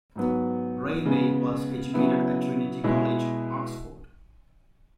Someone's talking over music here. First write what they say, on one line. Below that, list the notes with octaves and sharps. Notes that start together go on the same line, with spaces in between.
Reibey was educated at Trinity College, Oxford.
G#2 F#3 B3
C#3 G#3 B3
C#3 F#3 B3 E4
B2 G#3 E4